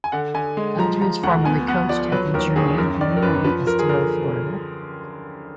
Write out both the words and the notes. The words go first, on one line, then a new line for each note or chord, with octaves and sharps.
Eldredge formerly coached at the Germain Arena in Estero, Florida.
G#5
D3 F#5
D3 G#5
G#3
F3 A#5
F3 A#5
D2 F#5
B3 G#5
B3 F#5
F3 D5
F#3 B4
D#2 A#4
D#2 G#4
F#2 A#4
D#3 D5
A#4
F#2 B4
F3 B4
F3 A#4
G#4
D3 A#4